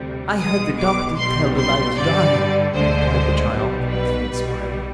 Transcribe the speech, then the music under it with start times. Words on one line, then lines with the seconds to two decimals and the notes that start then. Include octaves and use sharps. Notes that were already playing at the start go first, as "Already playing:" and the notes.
'I heard the doctor tell them I was dying,' replied the child with a faint smile.
Already playing: D2 C3 G3
0.40 B1 B2 G#3 D#6
0.79 D6
1.18 B1 B2 G3 C6
1.56 C6
1.96 G2 D3 G3 D5
2.74 D2 D3 G#3 C5
3.52 B1 B2 G3
3.90 B4
4.29 B1 B2 G3